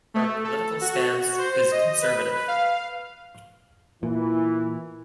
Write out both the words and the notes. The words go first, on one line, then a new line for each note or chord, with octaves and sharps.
Her political stance is conservative.
A3
A4
F#4
C5
D#5
B4
F5
A#2 E3